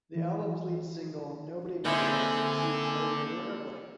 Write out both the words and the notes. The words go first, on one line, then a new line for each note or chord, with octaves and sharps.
The album's lead single, "Nobody Move", received little radio airplay.
E3
D3 A#3 C4 D#4 E4 B4 C5 G#5